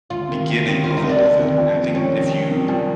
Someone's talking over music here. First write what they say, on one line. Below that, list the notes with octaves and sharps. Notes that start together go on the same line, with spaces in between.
beginning of all of it. And I think if you
D2 F4
C3 D#3
D2
C3 D#3
D2 F4
D#4
C3 D#3
D4
D2
C3 D#3
F2
C3 D#3
F2 C#4
C3 D#3
F2
C3 D#3
F2 G3